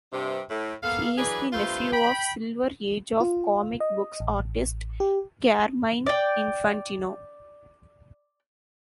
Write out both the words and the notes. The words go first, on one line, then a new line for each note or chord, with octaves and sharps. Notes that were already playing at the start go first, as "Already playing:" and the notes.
He is the nephew of Silver Age of Comic Books artist Carmine Infantino.
G2 C3
A2
A#3 B3 A4 F5
E3 F#3 D4 G#4 B4
G2 C3 A3 F4 B4 C5
G5 B5
F4
D#5
A1
G4
D5 G5